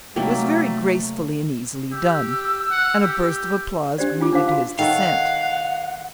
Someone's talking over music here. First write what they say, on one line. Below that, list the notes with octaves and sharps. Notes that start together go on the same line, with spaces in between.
It was very gracefully and easily done, and a burst of applause greeted his descent.
C3 F#3 A3 A#3 D#4 G5
G4 E6
F#5
G4
D4 G4 C5 D5
D4 F4 D6
D4 D#4 C5 F5 D6
F#4 F5
D#3 A4 C#5 F5 F#5